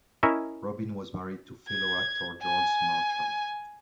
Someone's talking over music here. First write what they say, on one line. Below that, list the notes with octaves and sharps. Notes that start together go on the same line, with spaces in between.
Robin was married to fellow actor Georges Marchal.
C#4 E4 A#4 C#5 D#5 E5
G#6
G#5